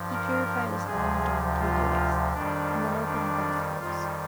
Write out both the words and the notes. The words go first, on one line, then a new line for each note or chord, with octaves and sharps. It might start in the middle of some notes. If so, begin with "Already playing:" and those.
He purified his army during three days, and then opened the Gospels.
Already playing: G2 F3
A#4
D2 C3 F3 G#4
F4
F2 D#3 G3 D4
D4
F2 D#3 G3 F4